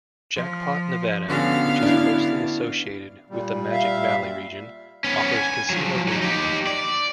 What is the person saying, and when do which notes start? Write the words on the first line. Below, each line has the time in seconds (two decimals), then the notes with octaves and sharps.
Jackpot, Nevada, which is closely associated with the Magic Valley region, offers casino gaming.
0.36 F3
1.28 D3 B3 C#4 F#4 F5
1.83 D4 E4
3.30 A#2 G3
3.72 E5 F5
5.04 B3 C#4
5.37 G#5
5.70 F3 F#3
6.08 F#3 D#4
6.22 D#4 G4
6.67 D5